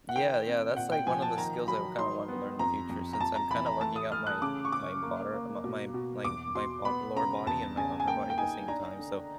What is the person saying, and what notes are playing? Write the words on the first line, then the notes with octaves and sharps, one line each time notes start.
Yeah, yeah, that's like one of the skills I would kinda wanna learn in the future since I'm kinda working out my my bottor m my my my part lower body and my upper body at the same time, so,
F#5
D#3 G5
C4
A#2 F#5
G5
F3 G#5
A5
D#3 A#5
F#3 B5
D#4 C6
B3
F2 A#5
F2
A#5
F2 A5
A#5
E3 B5
A#5
A3 A5
D#6
A3 F6
F#6
C#3 D6
C#6
C#3 D6
A#3
A#3
B2
B2
E2 D6
B2 C6
B3 B5
C#3 A#5
E2 A5
C#3 G#5
G#5
A#3 G5
G5
D#4 G#5
D4 A#5
D3